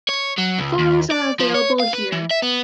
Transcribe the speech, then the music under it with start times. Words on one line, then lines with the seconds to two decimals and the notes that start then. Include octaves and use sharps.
Photos are available here.
0.09 C#5
0.38 F#3
0.59 C#2
0.79 D#2
1.11 D5
1.40 F3
1.55 C#5
1.80 F5
1.93 B4
2.12 E3
2.31 E5
2.42 B3